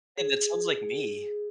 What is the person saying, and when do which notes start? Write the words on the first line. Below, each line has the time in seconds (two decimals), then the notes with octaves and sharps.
And that sounds like me.
0.18 G#4